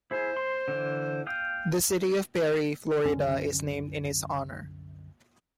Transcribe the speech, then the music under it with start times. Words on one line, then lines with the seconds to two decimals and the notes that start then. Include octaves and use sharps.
The city of Perry, Florida is named in his honor.
0.11 E4 G#4 C5
0.37 C6
0.68 D3 E3
1.27 F5 G5 D#6
3.05 C2 F#2 D3 C#4